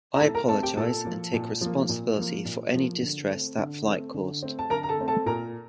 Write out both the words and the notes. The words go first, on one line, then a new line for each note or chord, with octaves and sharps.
I apologize and take responsibility for any distress that flight caused.
A#5
A2 A4 A5
A#4 A#5
A3 C4 A4 A5
G4 G5
A#2 A4 A5
F3 A#3
A#2
F3 A#3
A#2
F3 A#3
A#2
F3 A#3
D3
A3 C4
D3
A3 C4
D3
A3 C4
A5
D3 A#4 A#5
A#5
A4 A5
A3 C4
A4 A5
A#2 A#4 A#5